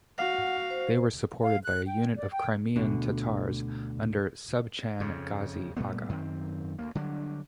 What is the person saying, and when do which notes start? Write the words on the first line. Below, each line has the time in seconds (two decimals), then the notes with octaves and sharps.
They were supported by a unit of Crimean Tatars, under Subchan Ghazi Aga.
0.18 F#4 F5 F#5
0.70 C5
1.43 F5
1.63 F#6
1.87 G5
2.16 D5
2.32 G5
2.76 D2 B2 D3
5.00 F2 C#3
5.77 A#2 G3 A3 B3
6.09 F#2 D#3 B3 C4
6.79 D2 A#3
6.95 D3 F#3 G3 D4